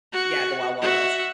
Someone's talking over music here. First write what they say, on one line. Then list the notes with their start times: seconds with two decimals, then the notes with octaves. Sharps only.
Yeah, the Wild Wild West.
0.13 F#4
0.82 F#4 E5